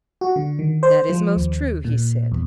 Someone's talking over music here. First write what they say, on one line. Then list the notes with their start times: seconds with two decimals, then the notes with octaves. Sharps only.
That is most true, he said.
0.21 F#4
0.36 D3
0.59 D#3
0.83 C5
1.09 F3
1.36 D#2
1.85 A#2
2.32 E2